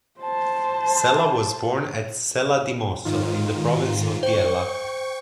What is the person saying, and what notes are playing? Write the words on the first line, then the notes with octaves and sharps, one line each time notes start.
Sella was born at Sella di Mosso, in the Province of Biella.
C5 A5
G#2 D#3 F4
C5 G5 C#6